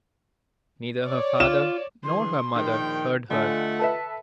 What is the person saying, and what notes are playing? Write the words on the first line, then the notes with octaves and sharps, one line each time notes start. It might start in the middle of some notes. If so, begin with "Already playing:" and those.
Neither her father nor her mother heard her.
C#5 D5
F4 E7
D3 E3 G#4 C6
A#1 D#3 G5
D3 A3 F4 D#5 F#5 G#5
A4 B4 E5 A5